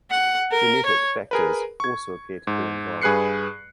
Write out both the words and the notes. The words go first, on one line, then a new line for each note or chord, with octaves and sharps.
Genetic factors also appear to be involved.
F#5
A#4
C#5
G#4 A#4 B4
C#6 G#6
G#2
G2 G#4 B4 F#6 C7 C#7